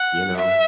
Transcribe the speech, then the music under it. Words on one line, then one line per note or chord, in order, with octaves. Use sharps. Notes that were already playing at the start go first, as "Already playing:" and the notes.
You know?
Already playing: F#5
E5